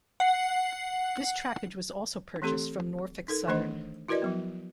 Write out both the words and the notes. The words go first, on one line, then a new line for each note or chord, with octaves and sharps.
This trackage was also purchased from Norfolk Southern.
F#5 C7
E3 A3 C4 G4 A4 C6
D#4 A4 A#4
D#3 E3 A3 D4 C5 D#5
E4 F#4 A#4 B4 D5 D#5
F3 F#3 B3